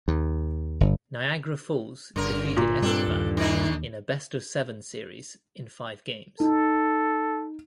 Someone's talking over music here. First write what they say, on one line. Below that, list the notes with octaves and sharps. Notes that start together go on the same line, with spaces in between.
Niagara Falls defeated Estevan in a best-of-seven series in five games.
D#2
G1
G1 G2 C#3 A#4
A#2
G2 G3 C4 D4 A4
D#2
D#3 D4 D#4
D#4 A4